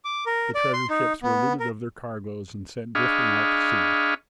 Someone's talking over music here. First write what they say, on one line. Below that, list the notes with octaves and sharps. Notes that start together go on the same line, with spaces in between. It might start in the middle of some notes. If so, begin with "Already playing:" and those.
The treasure-ships were looted of their cargoes and sent drifting out to sea.
D6
A#4
D5
C6
D#4
B3
A#4
D4 G#4 D#5 F5 B5 C#6